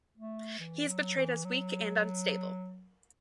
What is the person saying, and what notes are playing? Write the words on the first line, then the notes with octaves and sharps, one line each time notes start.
He is portrayed as weak and unstable.
A3
E3
F#3
E3
F#3